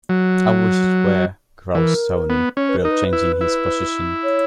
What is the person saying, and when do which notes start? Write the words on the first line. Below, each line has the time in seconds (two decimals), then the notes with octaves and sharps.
"I wish it were," growls Tony, without changing his position.
0.09 F#3
1.74 E3 A#4
2.30 B3
2.57 C#4 C#5
2.69 B4
2.80 D#4 A#4
2.91 B4
3.13 E4
3.41 E4
4.23 C#5